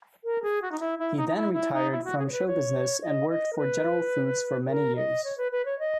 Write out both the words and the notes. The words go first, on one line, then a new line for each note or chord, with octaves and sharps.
He then retired from show-business and worked for General Foods for many years.
A#4
G#4
F#4
D#4
E4
E4
D#4
D#4
E4
E4
D#4
E4
F#4
G#4
C#5
B4
C#5
D#5
D#5
A#4
B4
A#4
D#5
C#5
B4
B4
C#5
D#5